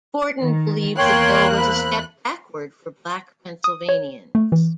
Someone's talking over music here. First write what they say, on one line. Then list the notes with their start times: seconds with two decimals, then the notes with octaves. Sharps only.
Forten believed the bill was a step backward for black Pennsylvanians.
0.41 D#3
0.98 E2 A#3 C#5 G5 C6 F#6
1.58 C4 B5
3.64 D#6
3.89 C#5
4.35 A3
4.52 E3